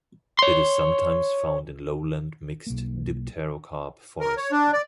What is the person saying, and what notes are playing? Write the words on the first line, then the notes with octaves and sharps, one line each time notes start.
It is sometimes found in lowland mixed dipterocarp forest.
C#5 C6
B1 A#3
A#4
C#5
D4
D5